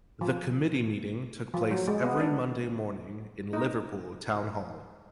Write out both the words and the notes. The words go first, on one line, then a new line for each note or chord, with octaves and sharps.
The Committee meeting took place every Monday morning in Liverpool Town Hall.
F3
F3
F#3
G#3
B3
D4
D#4